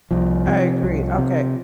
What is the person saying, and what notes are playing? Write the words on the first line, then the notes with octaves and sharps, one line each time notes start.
I agree, okay.
C2 F3
C3
C2
C3